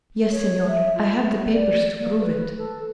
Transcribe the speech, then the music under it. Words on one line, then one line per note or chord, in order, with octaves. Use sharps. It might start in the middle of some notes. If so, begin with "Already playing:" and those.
"Yes, Senor; I have the papers to prove it."
C#5
E5
F4
A3
D5
A#3
B4
A4